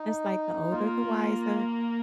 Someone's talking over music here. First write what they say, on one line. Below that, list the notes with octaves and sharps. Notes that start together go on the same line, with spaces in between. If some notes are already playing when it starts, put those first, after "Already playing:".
It's like the older, the wiser,
Already playing: D#4
A#3 F4